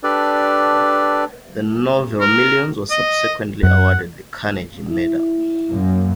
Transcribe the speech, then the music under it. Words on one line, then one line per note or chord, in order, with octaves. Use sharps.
The novel "Millions" was subsequently awarded the Carnegie Medal.
D4 G4 A4 B4 D5
A#4
D#5
F#2 F#5
E4
F#2 A#3